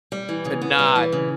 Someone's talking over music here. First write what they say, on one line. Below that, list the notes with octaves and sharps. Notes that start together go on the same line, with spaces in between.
to not
G3
E3
C#3
B3
G3
E3
C#3